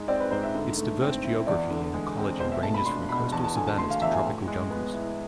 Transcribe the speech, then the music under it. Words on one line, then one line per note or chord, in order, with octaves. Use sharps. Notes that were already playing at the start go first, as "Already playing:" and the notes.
Its diverse geography and ecology ranges from coastal savannahs to tropical jungles.
Already playing: G#2 G#3
C4 D5
B4
G#2 C5
E5
D3
A3
C4
E4
E2 D5
D3
G#3
C4
B2 C5
E5
A3 A5
B5
D4 C6
B2 B5
E2 A5
A5
D3 G#5
A5
A3 C6
F5
E2 E5
G#5
A2
G#3
B3
E4